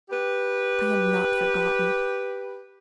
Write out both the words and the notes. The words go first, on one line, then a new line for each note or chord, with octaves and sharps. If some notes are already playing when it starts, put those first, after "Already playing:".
I am not forgotten.
G4 B4